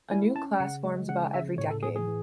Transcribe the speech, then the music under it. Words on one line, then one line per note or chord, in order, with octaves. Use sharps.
A new class forms about every decade.
E4 G#5
C#4 A5
C#3 F#5
G#3
C#3 F#5
C#3 E5
A2 C#5
A4
A2 G#4
G#4
E3